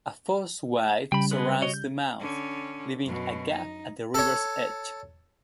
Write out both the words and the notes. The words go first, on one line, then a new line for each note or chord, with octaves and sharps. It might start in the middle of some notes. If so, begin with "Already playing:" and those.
A fosse wide surrounds the mound, leaving a gap at the river's edge.
C#3 G3 G5 B5
G#3 B3 B4
F#4 C#5 D#5
G6
D3 C#4
F#2 B2
D#4
A4 C#5